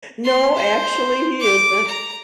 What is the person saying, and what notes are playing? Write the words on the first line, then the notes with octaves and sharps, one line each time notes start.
No, actually, he isn't.
C6
C5
D6
A#5